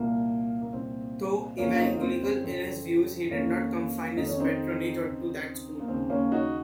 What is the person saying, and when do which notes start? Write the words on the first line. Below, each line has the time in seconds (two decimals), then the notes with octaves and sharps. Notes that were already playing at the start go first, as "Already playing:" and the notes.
Though Evangelical in his views he did not confine his patronage to that school.
Already playing: C2 A#2 A#3
0.61 A#3
0.72 C2 A#2 C4
1.58 F2 C#3 A#3 C#4
1.74 F4
1.80 C4 D#4
1.97 A#3
2.02 C4
2.23 C4
2.44 F2 C#3 C4
3.31 F2 D#3 A#3 C#4
4.16 F2 D#3 D#4
4.29 C#4
4.40 C4 D#4
5.02 D#2 C#3
5.80 A#3
5.88 D#2 C#3 C4
6.10 A#3 C#4
6.32 D#4 F#4